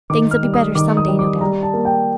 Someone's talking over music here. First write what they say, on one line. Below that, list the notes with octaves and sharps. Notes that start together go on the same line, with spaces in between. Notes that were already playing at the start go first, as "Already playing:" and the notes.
Things'll be better some day, no doubt.'
D#3 D6
F6
G3
D#6
D#3 D6
D#6
G3
D6
G3 A#5
A5
A#3
G5